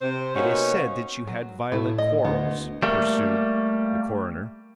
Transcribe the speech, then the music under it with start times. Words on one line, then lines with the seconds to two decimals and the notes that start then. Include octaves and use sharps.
"It is said that you had violent quarrels," pursued the coroner.
0.02 C3 C5
0.36 A#3 B3 C#4 D#4 F#4
1.27 F#3
1.72 A2 A3 E4
1.98 D#5
2.25 D2 B3
2.83 G3 A3 A#3